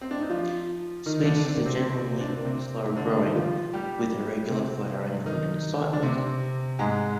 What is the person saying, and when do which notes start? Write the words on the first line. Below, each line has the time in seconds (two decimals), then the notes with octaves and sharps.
Species are generally slow growing with irregular flowering and fruiting cycles.
0.01 C4
0.11 D4
0.20 D#4
0.30 F3 F4
1.06 D#3 D#4
1.25 D3 D4
1.44 C4
1.55 A#3
1.66 C3 C4
2.21 D4
2.29 C4
2.37 A#3
2.45 C3 C4
2.96 D3 D4
3.10 D3 D4
3.23 D#3 D#4
3.35 F3 F4
3.73 G3 G4
4.50 C3 C4
5.26 D#3 D#4
5.93 D4
6.03 C3 C4
6.79 G#2 G#3